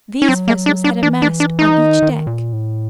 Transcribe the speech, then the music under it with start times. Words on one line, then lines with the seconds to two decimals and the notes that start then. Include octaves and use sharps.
These vessels had a mast on each deck.
0.22 C#4
0.28 F#3 C4
0.48 A#3
0.66 D4
0.84 D4
1.03 E3 D4
1.22 D4
1.40 D4
1.59 D#4
1.77 D#3
2.02 D#3
2.27 A#2
2.53 A2